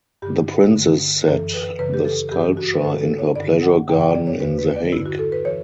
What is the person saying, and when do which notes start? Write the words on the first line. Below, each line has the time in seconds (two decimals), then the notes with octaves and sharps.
The princess set the sculpture in her pleasure garden in The Hague.
0.22 G2 D3 G4
0.75 G2 D3
1.27 F#2 E3 A4
1.54 B4
1.79 F#2 C#3 E3 B4
1.94 G4
2.05 A4
2.31 G2 E3 G4
2.57 F#4
2.74 B4
2.84 G2 D3 A4
3.01 A4
3.19 C#5
3.36 G2 D3 D5
3.63 F#5
3.88 F#2 C#3 E3 G5
4.01 G5
4.15 D5
4.27 C#5
4.40 E2 D3 B4
4.59 B4
4.76 D5
4.93 G2 D3 E4
5.06 F#4
5.19 A4
5.32 B4
5.45 E3 C#5